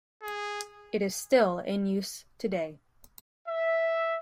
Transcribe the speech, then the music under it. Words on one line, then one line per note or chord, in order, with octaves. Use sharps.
It is still in use today.
G#4
E5